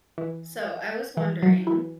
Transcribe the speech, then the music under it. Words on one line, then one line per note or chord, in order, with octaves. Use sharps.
So, I was wondering
E3
E3
F#3
E3